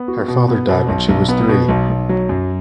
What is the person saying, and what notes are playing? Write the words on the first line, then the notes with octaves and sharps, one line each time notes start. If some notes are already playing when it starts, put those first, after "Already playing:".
Her father died when she was three.
Already playing: B3
F#4
B2
B3
B2
B1
B1
B3
B2
B1
B1
F#3
F#2